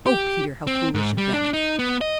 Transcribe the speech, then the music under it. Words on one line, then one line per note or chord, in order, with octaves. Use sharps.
"Oh, Peter, how foolish of them!"
G4
C4
G#2
G3
D4
D#4
B3
D#5